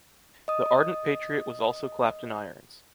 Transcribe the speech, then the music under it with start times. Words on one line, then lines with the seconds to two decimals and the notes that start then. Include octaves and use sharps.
The ardent patriot was also clapped in irons.
0.48 D#5 D#6